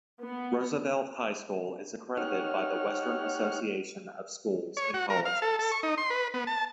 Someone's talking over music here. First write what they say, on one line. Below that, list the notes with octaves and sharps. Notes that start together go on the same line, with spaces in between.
Roosevelt High School is accredited by the Western Association of Schools and Colleges.
B3
D#4 G4 C#5 F#5 F6
C#5
F#4
A#4
F5
A4
A4
C#6
D#4
C6
B4
B3
A5